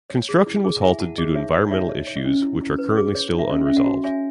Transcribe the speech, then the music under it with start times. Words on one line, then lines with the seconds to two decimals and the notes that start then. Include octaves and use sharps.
Construction was halted due to environmental issues, which are currently still unresolved.
0.10 C#5
0.29 G#4
0.46 E4
0.64 G#4
0.81 E4 E5 G#5
1.00 E4 F#5 A5
1.18 G#4 D#5
1.35 D#4 C#5 E5
1.53 C#5 D#5 F#5
1.71 D#4 C#5 E5
1.89 C#5 D#5
2.07 C#5
2.17 D#5
2.25 C#4
2.42 E4
2.61 E4
2.78 B4
2.97 G#4
3.15 C#5
3.32 D#4
3.39 E5
3.50 C#4 D#5
3.66 C#4 E5
3.77 D#5 F#5
3.86 F#4
4.04 C#5 E5 G#5